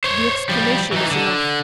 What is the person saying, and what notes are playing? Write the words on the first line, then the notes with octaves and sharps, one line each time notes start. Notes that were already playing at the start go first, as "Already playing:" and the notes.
The exclamation was enough.
C5 C#5
F3 G3
E3 D#4
D3